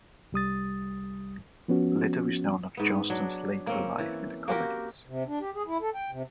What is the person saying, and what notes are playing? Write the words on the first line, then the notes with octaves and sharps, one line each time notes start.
Little is known of Johnston's later life in the colonies.
C2 G3 D#6 A6
F3 B3 C#4 F#4
G#2 B3
F#3 D4
A#3 C4 C#4
E3
A#3 F#4 G4 A#4
C3
D4
G4
G#4
E4
A4
G5
C3